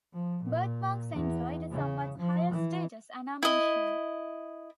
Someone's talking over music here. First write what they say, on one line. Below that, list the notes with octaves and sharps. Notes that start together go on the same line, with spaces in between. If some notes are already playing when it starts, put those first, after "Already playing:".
Birthmarks enjoyed a somewhat higher status, and are mentioned.
F3
A#2
E2
C#3
F3
E3
E4 D#5